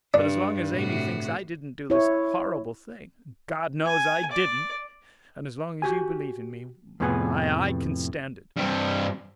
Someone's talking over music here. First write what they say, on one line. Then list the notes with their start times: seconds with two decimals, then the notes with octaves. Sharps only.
But as long as Amy thinks I didn't do this horrible thing--and God knows I didn't--and as long as you believe in me--why I can stand it.
0.14 G2 D4
0.71 A2 C3 F#4
1.90 E4 C#5
3.86 G#5
4.31 D5
5.82 F#4 G4 G#5
7.00 F2 A2 C3 B3 G#4 B4
8.56 G2 C4